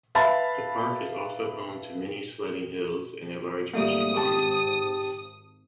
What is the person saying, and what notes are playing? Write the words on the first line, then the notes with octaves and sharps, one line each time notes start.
The park is also home to many sledding hills and a large fishing pond.
B4 E5 F5 A5 B5 A6
G#1 G3 A3 A#3 D#6
G4 A5